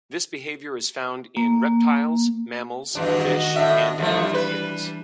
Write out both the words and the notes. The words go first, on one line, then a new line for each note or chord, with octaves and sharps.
This behaviour is found in reptiles, mammals, fish and amphibians.
A#3
E2 G2 D#3 D4 F#4 D#5
A2 D4 E5
D#2 E3 F3 G3 A3 D4
B4